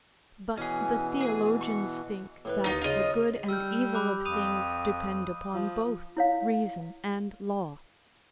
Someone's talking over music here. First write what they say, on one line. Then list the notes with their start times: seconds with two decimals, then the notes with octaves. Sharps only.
But the theologians think that the good and evil of things depend upon both reason and law.
0.57 B2 E3 C#4 G#4
1.20 G#4
1.61 C#6
2.45 A2 E3 B4
2.64 D#2 D#4 F4 D#6
2.81 C#3 D#4 F4 D#5
3.48 G3 E6 F6 G6
3.94 B5 D6 F#6
4.25 F2 D#6 D#7 F7
5.54 F3
6.17 E4 C#5 F5